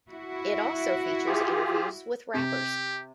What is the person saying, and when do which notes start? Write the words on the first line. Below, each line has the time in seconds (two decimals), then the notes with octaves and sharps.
It also features interviews with rappers.
0.11 E4 F#4
1.27 F4 G4 G#4
2.34 C3 G4